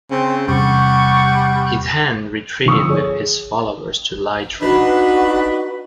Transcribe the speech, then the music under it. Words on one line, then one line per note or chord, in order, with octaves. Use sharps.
He then retreated with his followers to Leitrim.
C#3 C4
E2 C3 G3 F#5 C#6
G1 F3 C#6 D#6 E6
G#4 C#5
D4 D#4 F#4 B4